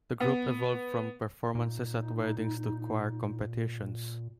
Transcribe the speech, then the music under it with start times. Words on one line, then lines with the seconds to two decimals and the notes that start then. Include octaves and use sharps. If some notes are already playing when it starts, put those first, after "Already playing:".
The group evolved from performances at weddings to choir competitions.
0.20 B3
1.55 A#2 D#4